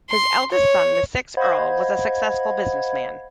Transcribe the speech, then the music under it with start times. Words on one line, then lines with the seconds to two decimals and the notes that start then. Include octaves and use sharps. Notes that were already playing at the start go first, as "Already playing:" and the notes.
His eldest son, the sixth Earl, was a successful businessman.
0.10 C6
0.52 C#5
1.37 C5 D#5 F5 F#5 B5 G#6